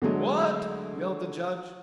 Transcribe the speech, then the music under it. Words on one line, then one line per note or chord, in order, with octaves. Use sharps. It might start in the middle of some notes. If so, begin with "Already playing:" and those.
"What!" yelled the Judge.
D3 F#3 G#3 A3